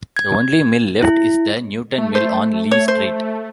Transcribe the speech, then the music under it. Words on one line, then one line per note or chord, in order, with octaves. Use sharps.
The only mill left is the Newtown Mill on Lees Street.
G#6
E4
A3
C5
C#5
C5